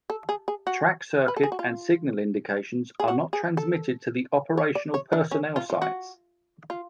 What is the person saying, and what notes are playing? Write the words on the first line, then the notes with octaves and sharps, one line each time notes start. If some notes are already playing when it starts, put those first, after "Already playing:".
Track circuit and signal indications are not transmitted to the operational personnel sites.
A4
G#4
G#4
F#4
B4
A4
G#4
F#4
F4
G#4
F#4
G#4
A4
C#5
D5
C#5
D4
C#4
F4
F4
F#4
F4